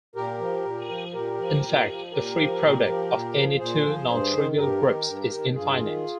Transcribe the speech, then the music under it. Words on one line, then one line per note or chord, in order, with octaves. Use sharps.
In fact, the free product of any two nontrivial groups is infinite.
A#2 G4 A#4
F3
A#2
F3
A#2 G4 A#4
F3
A#2
F3
A#2 G4 A#4
F3
A#2
F3
A#2
F3
A#2 G#4 C5
F3
G2
D#3
G2 G4 A#4
D#3
G2
D#3
G2 F4 G#4
D#3